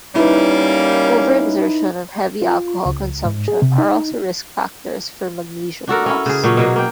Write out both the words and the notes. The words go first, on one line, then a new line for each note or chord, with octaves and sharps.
Over-exertion and heavy alcohol consumption are also risk factors for magnesium loss.
G3 A#3 C#4 D#4 E4 B4
F4
C#2
G#2
G#4
C3
D#4
D4 F#4 A4 A#4
C#4 E4
C#3 G#4
A#2 F#3 C#4
B2 F#3 A#3
A#3 G5